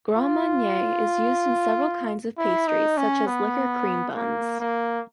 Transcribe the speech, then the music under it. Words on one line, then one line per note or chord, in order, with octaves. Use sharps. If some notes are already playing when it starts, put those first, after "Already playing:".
Grand Marnier is used in several kinds of pastries, such as liquor cream buns.
F4
E4
D#4
C#4
B3
A#3
A#3